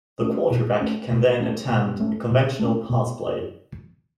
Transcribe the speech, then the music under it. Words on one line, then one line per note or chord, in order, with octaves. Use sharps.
The quarterback can then attempt a conventional pass play.
A3 C#4
B2
A3 C#4
B2
A3 C#4
B2
A3 C#4
B2
A3 C#4
B2